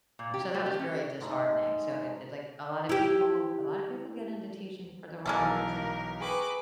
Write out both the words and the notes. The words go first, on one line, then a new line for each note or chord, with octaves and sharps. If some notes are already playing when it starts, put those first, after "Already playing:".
so that was very disheartening. So it it like a lot of people a lot of people get into teaching for the wrong reason.
A#2
G4
A3
G4
C#4
G#2 G#3 A3 D#4
E4 G4
B1 E3 G#3 A#3 A4 A#4
G#4 B4 G5 C#6 D6